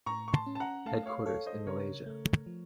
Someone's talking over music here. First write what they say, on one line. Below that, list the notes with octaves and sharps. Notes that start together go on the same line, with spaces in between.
Headquarters in Malaysia.
A2 A#5 C#6
C#6
A5 C6
C#4
A5
F#5 A#5
A3 F5 A5
C#5 F5
A4 C#5 F5
C5 D#5
C#3 A#4 C#5
A3
F3